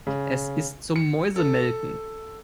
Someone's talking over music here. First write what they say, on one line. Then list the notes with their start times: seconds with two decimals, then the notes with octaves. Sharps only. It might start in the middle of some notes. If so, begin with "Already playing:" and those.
Es ist zum Mäusemelken.
0.07 C#3
0.96 C#7
1.36 A4